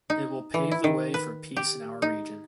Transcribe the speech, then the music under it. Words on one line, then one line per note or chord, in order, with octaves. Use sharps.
It will pave the way for peace in our region.
D#4
E3
E4
D#3
B4
G4
D#4